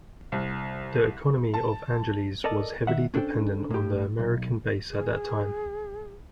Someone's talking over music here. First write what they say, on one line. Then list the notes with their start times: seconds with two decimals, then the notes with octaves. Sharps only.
The economy of Angeles was heavily dependent on the American base at that time.
0.32 C2
1.54 A5
2.44 A4 A#4 D5 D#5 A5
2.87 D#3 E5 F#5
3.14 C#4 D4 A4 C5 G5
3.71 A2 G4
4.19 B1
4.90 G#4